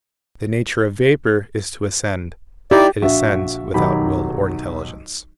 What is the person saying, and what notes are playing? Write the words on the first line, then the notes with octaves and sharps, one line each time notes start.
The nature of vapor is to ascend; it ascends without will or intelligence.
D#4 E4 G4 D5
A#1 F#4 E5
B1 D#3 F#3 G4 B5